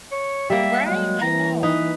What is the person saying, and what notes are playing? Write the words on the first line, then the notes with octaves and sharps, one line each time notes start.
Right, I know.
C#5
G3 A#3 E5
F#3 G#3
E3 A#5
D#4 B4